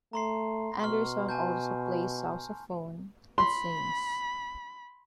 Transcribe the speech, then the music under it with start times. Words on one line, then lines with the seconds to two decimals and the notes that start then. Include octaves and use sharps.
Anderson also plays sousaphone and sings.
0.13 A3 A#5 C6 C7
0.79 B2 C6 C#6 F6
1.29 G#5 A5 G6
3.38 B5 C6